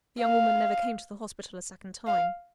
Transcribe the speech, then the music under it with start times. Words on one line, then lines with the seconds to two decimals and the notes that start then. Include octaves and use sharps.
The young woman never came to the hospital a second time.
0.20 F5
2.07 F5